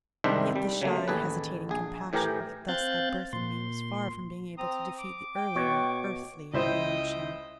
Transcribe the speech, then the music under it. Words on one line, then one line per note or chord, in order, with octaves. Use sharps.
Yet the shy, hesitating compassion that thus had birth in me was far from being able to defeat the earlier, earthlier emotion.
C2 G#2 D#3 D4 C5 E5
G3
C#3 F#3 A3 A#3
A1 D#2 G#4 A4 B4
A#1 G#4
A2 E3 G4 A#4 G#5 A#5
C4 F5 F#6 G6 A6
A#2 C6
C4 A#5 D#6
D6
G5
B2 C#5 C#6
C#2 E4 C5 D#5 G5